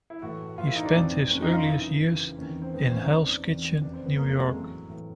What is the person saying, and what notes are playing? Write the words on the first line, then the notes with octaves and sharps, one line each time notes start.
He spent his earliest years in Hell's Kitchen, New York.
E4
A2 E3 F#4
A2 E3 F4
E4
D#4
D4
F2 C3 E3
F2 C3 E3 C#4
D#4
F4
F#2 C#3 E3 E4
F#2 C#3 E3
E2 C3 D#3 C#4
C4
E2 C3 D#3 B3
C4
C#4
D#4
E2 C3 E3 D4
E2 C3 E3
F2 C#3 E3 D4
C4
B3
F2 C#3 E3 A#3
A3
G#3
A2 E3 F#3
A2 E3